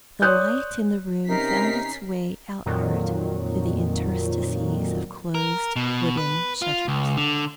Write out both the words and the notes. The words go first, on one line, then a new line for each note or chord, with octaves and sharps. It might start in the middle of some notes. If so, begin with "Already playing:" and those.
The light in the room found its way outward through the interstices of closed wooden shutters.
C#5 D5 C6 D#6 F#6 G6
C3 C#4 D#4 A#4 B6 C7
F2 A#2 D#3 F#3
A#4
B2
B4
F4
C#2
D3